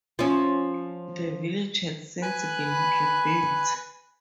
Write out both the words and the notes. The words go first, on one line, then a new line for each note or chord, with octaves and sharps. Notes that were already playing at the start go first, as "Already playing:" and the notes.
The village had since been rebuilt.
F3 C#4
B4 G#5 B5 F#6